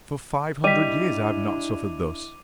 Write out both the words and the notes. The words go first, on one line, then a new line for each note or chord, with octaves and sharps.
For five hundred years I have not suffered thus.
G3 D4 E4 D#5 D6 B6 D#7 F7